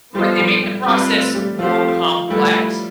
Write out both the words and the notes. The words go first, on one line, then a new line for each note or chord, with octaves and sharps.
Like, they make the process more complex.
F3 G3 B3 F4 G4 A4 C5
G3 G4
G3 G4
G3 C4 F4 G4 B4
A3 A4
G3 G4
F3 A3 C4 F4 G4 C5
G3 A3 E4 G4 B4